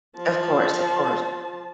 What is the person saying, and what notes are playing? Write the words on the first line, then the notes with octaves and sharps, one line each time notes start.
Of course, of course.
F3 A5